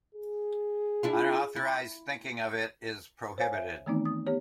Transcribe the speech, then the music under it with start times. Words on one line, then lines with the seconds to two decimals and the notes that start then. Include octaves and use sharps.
Unauthorized thinking of it is prohibited.
0.15 G#4
1.03 D4 E4 F4
1.56 E4
3.38 C5 C#5 F5 G#5
3.55 E5
3.86 D#3 E3 A3 B3 C4 D#4
4.05 D#6
4.27 B3 G4 C#5